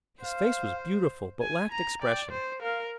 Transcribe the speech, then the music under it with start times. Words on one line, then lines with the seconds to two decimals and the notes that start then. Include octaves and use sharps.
His face was beautiful, but lacked expression.
0.22 C5 F5
1.42 G#5
1.72 A#5
2.02 D5 G5
2.31 C5
2.62 A#4 F5